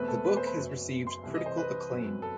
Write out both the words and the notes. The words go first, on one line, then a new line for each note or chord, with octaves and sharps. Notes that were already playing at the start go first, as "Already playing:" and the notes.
The book has received critical acclaim.
Already playing: E2 B2 A3 C4 B4
A4
B4
C5
B5
F#1 F#2 F#3 B3
C6
C2 C3 E3
D#5
C5
B4
G1 F#2 F#3 C4
A4